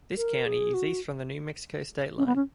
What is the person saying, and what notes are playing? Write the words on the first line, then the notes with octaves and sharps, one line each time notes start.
This county is east from the New Mexico state line.
A#4
G#4
F#4
C#4
B3
C#4